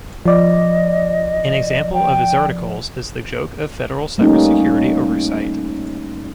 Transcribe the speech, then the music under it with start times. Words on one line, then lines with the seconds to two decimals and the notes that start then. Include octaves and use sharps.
An example of his articles is "The Joke of Federal Cybersecurity Oversight".
0.26 F3 D5 D#5
1.93 G5
4.18 G3 A3 A#3 C#4 D#4